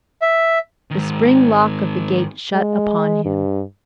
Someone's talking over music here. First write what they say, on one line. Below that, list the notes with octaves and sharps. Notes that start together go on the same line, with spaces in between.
The spring-lock of the gate shut upon him.
E5
G#2 D#3
G#3
G2